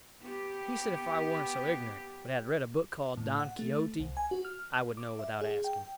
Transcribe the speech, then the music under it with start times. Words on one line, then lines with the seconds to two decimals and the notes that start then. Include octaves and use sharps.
He said if I warn't so ignorant, but had read a book called Don Quixote, I would know without asking.
0.24 B3 G4
3.17 A2
3.40 F#5
3.59 A3
4.00 C2
4.17 G#5
4.31 F#4
4.45 F6
4.97 D6
5.19 E5
5.41 G#4
5.64 G5